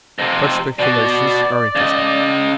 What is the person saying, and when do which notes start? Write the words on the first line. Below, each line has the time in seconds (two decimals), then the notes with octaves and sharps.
Such speculations are interesting.
0.19 F2 C3
0.79 B2 B3 D5
1.76 C#3 D#5